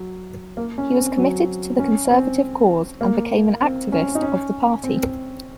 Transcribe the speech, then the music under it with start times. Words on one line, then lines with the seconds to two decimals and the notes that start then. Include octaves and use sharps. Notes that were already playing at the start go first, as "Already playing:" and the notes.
He was committed to the Conservative cause and became an activist of the Party.
Already playing: F#3
0.57 A#3
0.78 C#4
0.97 C4
1.18 F#3
1.79 C#4
2.10 C4
3.01 A#3
3.61 C4
3.92 C#4
4.15 D#4
4.22 C#4
4.84 C4